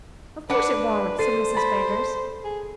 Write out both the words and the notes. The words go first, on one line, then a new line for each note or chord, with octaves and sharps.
"Of course it won't," said Mrs. Flanders.
D4 B4 F#5
A4 C5 C7 D#7
A5 B5
G#4